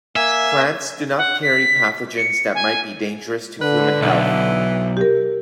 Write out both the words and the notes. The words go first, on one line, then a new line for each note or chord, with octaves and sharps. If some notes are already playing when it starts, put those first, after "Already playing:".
Plants do not carry pathogens that might be dangerous to human health.
A#3 E5 G#5
F#5
B6
C#7
G#5
D3 B4
B1 E3
G4 A#4